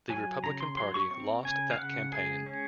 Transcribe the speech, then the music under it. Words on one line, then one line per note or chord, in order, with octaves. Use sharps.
The Republican Party lost that campaign.
F#3 G#5
C#3 A#5
C6
F#3 C6
C#6
C4 C#6
C#3 G#5
F5
C#3 F#5
G#3 G#4
C#4